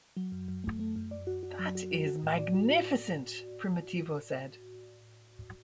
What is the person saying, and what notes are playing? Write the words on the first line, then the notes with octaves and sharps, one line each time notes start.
'That is magnificent,' Primitivo said.
F#3
F#2
F#2
A3
A3
F#2
D5
F#4
F#4
F#3
F#4
F#4
F#4
A2
D5
F#4
F#4